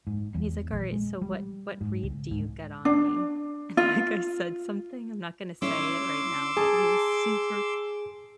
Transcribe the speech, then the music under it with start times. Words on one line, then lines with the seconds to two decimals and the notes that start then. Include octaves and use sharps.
And he's like, "Alright, so what what read do you get on me?" And, like, I said something, I'm not gonna say it right now, but he was super,
0.07 G#2
0.35 E2
0.72 A#1
0.92 G#3
1.22 G3
1.81 G#2
2.03 C#2
2.31 G#2
2.85 D4
3.77 F4
5.62 C#4 E4 C#5 C6 D6 E6
6.57 G#4 A5